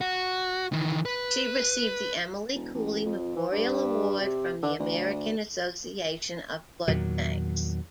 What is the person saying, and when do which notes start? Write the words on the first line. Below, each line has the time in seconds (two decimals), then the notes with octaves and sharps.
She received the Emily Cooley Memorial Award from the American Association of Blood Banks.
0.01 F#4
0.72 D#3 E3
1.05 B4
2.54 E1
2.74 A1
3.05 F2
3.36 E3
3.52 G2
4.21 C3
4.63 D3
4.79 D2
6.88 E2 A#2 D#3 F#3